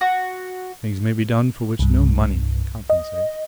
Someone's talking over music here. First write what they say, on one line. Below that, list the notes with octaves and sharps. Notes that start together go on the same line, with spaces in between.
Things may be done for which no money can compensate.
F#4
C2 G2
D#5